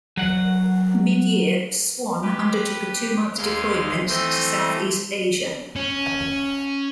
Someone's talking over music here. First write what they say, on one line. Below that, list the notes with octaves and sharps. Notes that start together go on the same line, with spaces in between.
Mid-year, "Swan" undertook a two-month deployment to South East Asia.
F#3 F#5
G4 B4
D#2 G#3 F5 C6
E3 A3 C4 D#5 G6
C#4